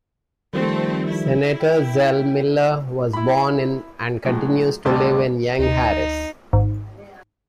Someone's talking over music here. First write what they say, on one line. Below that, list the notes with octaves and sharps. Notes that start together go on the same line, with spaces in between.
Senator Zell Miller was born in and continues to live in Young Harris.
D#3 F3 G3 A3 C4
E4
G5
E4 B5
A2 F#3 G#3
A1 D2 D3 G3 C4 A5
D2 D#4
G#1